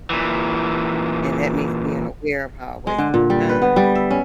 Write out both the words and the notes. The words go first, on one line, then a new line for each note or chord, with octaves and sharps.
and that means being aware of how I waste my time
A#2 E3
G#3
D3
A#2
G3
B4
B3
G3
E5
C#4